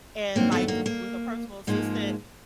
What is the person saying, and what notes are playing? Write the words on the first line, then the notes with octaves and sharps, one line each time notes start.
and, like, with a personal assistant,
G2 D#3 F#3 A#3 C4
A3 B3
A#3
A#3
G#2 F3 G#3 A#3